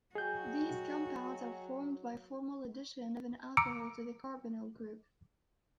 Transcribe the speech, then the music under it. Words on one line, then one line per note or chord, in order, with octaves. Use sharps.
These compounds are formed by formal addition of an alcohol to the carbonyl group.
F#3 F#4 G#4 D#5 G5 G#5 G6
A#5 D6 E6 C#7 D7